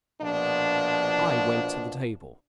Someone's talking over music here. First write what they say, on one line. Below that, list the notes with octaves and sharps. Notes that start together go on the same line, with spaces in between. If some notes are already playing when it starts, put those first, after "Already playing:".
I went to the table.
A#1 B2 F3 D4